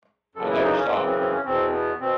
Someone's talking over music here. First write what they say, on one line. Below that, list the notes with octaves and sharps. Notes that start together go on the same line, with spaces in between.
I never stop.
F#2 C#3 E3 A4
E4
D#4
C#4
F#2 C#3 E3 C4
C4
C4
C#4
E2 B2 C4
B3
B2 C4